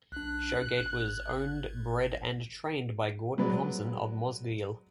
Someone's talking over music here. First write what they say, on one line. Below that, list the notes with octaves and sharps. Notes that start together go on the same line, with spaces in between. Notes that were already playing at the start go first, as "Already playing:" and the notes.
Show Gate was Owned Bred And Trained by Gordon Thomson of Mosgiel.
B1 D4 F#6
G#1
F#3 G#3 B4 D5